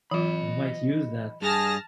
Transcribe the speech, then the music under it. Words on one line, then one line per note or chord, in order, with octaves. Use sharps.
You might use that.
E3 F#3 F4 D#5 B5
G2 G#4 A5 F6 A#6